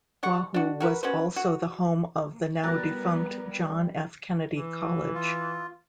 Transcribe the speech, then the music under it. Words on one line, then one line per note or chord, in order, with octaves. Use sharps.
Wahoo was also the home of the now defunct John F. Kennedy College.
G3 F#5 C#6
D4 F#4
F#4 A#4 B4
C#4 F#4 B4 C5
F#4
F#3 G3 B3 A#4 F#6 A6 A#6
E3
F4